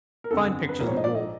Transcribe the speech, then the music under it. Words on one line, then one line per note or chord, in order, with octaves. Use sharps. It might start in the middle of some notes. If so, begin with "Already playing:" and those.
Fine pictures on the wall.
A#4
G1 F2 D3 A4
B4
A#1 G#2 F3 A#4
C#5
C5
D#5
D5
D#5